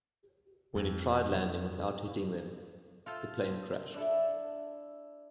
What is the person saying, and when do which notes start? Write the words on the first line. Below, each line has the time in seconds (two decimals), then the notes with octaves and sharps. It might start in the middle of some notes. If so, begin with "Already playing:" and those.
When he tried landing without hitting them, the plane crashed.
0.75 F2
3.06 F4 A4 C5
3.94 D4 E4 A4